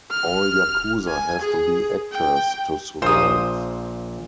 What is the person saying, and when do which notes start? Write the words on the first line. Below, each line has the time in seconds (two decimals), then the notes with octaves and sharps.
All yakuza have to be actors to survive.
0.10 F6
1.07 G#5
1.41 G#4
2.11 G5
3.02 A#1 A#2 C5 D#6